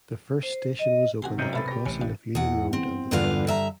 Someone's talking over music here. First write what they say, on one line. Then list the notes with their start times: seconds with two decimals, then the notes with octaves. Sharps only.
The first station was opened at the crossing of Union Road and the tracks.
0.43 C5
0.79 D#5
1.22 C3 D#3 F#4 G#4 C6
1.38 E1 A1 F#2 C3 E5 G6 D#7
1.53 A#2 A3 B4 B5 A6
1.68 G4 A#6
1.86 A1 C3 C#4
2.01 G2
2.35 E2 F#5
2.73 C4
3.11 E2 G2 D3 F4 B4 F5
3.47 G2 E5 A#5